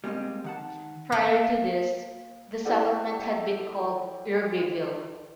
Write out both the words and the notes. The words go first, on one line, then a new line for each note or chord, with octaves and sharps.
Prior to this, the settlement had been called Irbyville.
G3 G#3 A#3 C4 G4 D#5
D#3 F#5 A5
A#3
E4 G4 A4 D5 F#5